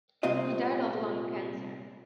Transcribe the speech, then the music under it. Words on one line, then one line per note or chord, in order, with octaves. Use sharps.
He died of lung cancer.
C2 A#2 C4 F4 D#5